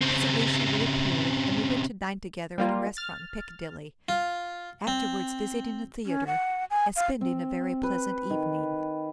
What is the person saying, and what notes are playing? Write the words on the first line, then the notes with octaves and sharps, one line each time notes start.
Presently she reappeared, and we went to dine together at a restaurant in Piccadilly, afterwards visiting a theatre, and spending a very pleasant evening.
C#3 C4
G3 A#3 F4
F6 A6
F4
C4
C#4
F#5
G#5
F5
C4
B4
D#3